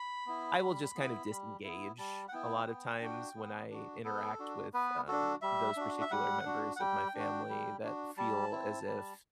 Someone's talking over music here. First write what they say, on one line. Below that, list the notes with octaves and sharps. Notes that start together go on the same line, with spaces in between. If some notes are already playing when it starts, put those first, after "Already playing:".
I will just kind of disengage a lotta times when I interact with, um, those particular members of my family that feel as if
Already playing: B5
B3 E4
G3
B3 E4
G3
B3 E4
G3 A5
F#5
B3 E4 G5
B3
D4 F#4
B3
D4 F#4
B3 A4
D4 F#4
B3 B4
D4 F#4 A4
G3 E5
D4 F#4
E5
G3 F#5
D4 F#4
F#5
G3 G5
D4 F#4
G3
D4 F#4
G3 A5
C4 E4
G3